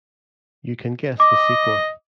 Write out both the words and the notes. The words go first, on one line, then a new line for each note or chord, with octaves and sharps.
You can guess the sequel.
D#5 D6